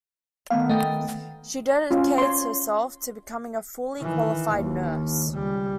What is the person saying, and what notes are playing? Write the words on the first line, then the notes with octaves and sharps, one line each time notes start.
She dedicates herself to becoming a fully qualified nurse.
D#3 A3 B3 F5
A3 D#5 G5
C#4 F4
C#5 C6
D#3 E3
D#2
C#2 G3